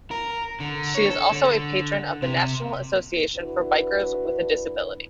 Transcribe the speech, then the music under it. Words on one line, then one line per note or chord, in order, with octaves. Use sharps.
She is also a patron of the National Association for Bikers with a Disability.
A#4
D3
C#5
A4
D3
C3
D4 E4 F#4 B4